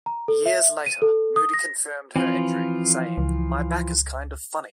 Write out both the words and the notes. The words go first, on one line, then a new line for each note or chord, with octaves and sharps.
Years later, Moody confirmed her injury, saying, My back is kind of funny.
A#5
A4
E5
D#7
A4
D#6
A#6
E3 F3 C4 F4
C#2